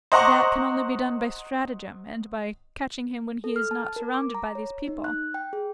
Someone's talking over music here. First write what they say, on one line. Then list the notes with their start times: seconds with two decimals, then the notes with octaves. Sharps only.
That can only be done by stratagem, and by catching him when he is not surrounded by these people.
0.12 C5 D#5 F#5 A#5 C#6 D6
3.44 A4
3.56 F6
3.71 A5
3.96 A#4
4.14 D6
4.34 A#5
4.55 C#5
4.87 D#4
5.04 F#6
5.34 G5
5.53 G#4